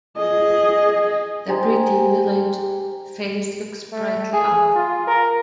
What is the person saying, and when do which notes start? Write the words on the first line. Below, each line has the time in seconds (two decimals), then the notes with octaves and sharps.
The pretty village face looks brightly up.
0.17 G#4 D#5
1.48 D#4 G4 G#4 C5
3.93 A3
4.33 G#4
4.76 F4
5.07 A#4